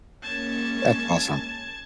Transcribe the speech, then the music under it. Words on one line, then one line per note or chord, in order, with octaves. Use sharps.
That's awesome.
G#3 A#3 C#4 A5 G#6